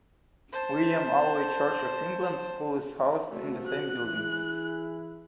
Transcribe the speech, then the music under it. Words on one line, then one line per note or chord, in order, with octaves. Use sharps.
William Alvey Church of England School is housed in the same buildings.
C5 A5
C3 F3 A3 F#4
F#6
E3 E4 G#4